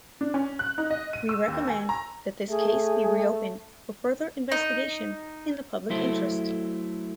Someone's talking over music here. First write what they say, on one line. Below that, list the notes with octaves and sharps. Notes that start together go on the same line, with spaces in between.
We recommend that this case be re-opened for further investigation in the public interest.
D4
C#4
F#6
D#4
D#5
D#7
E6
D#2
G#5
A#5
A3 G#4
D#4
F#3 A3 E4 A4 C5